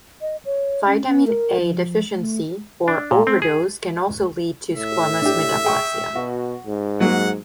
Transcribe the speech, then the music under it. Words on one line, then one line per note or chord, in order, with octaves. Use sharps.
Vitamin A deficiency or overdose can also lead to squamous metaplasia.
D#5
C#5
C#4
C#4
A#4
F3
A3
D4
A#2
C4
G#4
A2 E5
D4 G4
G#4 G5 C#6
B2 F#4
G#2
F#3 G#3 A#3 F#5